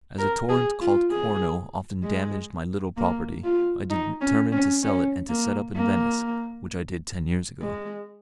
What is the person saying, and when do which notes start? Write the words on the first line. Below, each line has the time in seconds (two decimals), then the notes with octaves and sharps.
As a torrent called Corno often damaged my little property, I determined to sell it and to set up in Venice, which I did ten years ago.
0.18 A#4
0.49 G#4
0.81 F4
1.11 G#4
2.04 G#3
2.97 A#3
3.44 F4
3.90 D#4
4.21 C#4
4.52 C#4
4.83 C#4
5.29 A#3
5.75 A#3
7.61 G#3